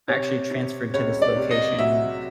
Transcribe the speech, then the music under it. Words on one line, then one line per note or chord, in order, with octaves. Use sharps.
I actually transferred to this location.
C3 C#5
C3
C#2 C#5
D5
C3
D#5
F#3 E5